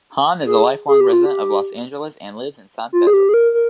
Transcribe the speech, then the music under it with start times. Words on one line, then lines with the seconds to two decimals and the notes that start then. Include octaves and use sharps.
Hahn is a lifelong resident of Los Angeles and lives in San Pedro.
0.46 G#4
0.88 G#4
1.00 G4
1.13 F4
1.26 G4
2.93 F4
3.07 G#4
3.13 G4
3.29 G#4
3.34 A#4
3.54 A#4